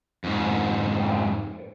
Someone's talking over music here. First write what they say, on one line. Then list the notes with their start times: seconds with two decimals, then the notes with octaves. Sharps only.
Ah, okay.
0.24 F2 G#2